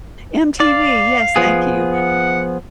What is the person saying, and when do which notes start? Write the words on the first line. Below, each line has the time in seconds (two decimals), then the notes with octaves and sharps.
MTV, yes, thank you.
0.60 D5 F5
1.36 F3 B3 G#4
1.93 F#5